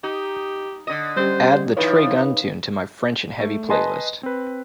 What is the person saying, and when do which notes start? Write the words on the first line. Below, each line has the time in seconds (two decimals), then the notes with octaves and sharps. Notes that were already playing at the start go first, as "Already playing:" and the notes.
Add the trey gunn tune to my French N' Heavy playlist.
0.03 D#4 G4
0.87 D3 D#5
1.16 G3 C#4 G4 C5
1.77 E3 F3 D#4 B4 C#5
3.40 A3
3.70 B4 D#5 G#5 A5 C6
4.23 C4 B4